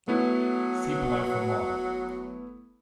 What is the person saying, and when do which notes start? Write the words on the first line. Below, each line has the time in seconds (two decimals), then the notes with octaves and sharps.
See below for more.
0.08 F#3 A3 B3 E4